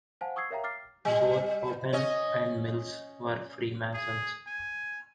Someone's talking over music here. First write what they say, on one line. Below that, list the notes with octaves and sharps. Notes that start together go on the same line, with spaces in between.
Both Hoban and Mills were Freemasons.
C5 F5 F#5 G#5 A5
C#6 D#6 E6 G#6 C7
A#4 C#5 E5 F5 G5 A#5
D6 F6 A6 C7
G3
C#4 C#5 D#5
G#4
G#5